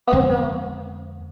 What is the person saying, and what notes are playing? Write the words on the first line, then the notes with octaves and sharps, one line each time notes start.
Oh, no.
F2 D3 G#3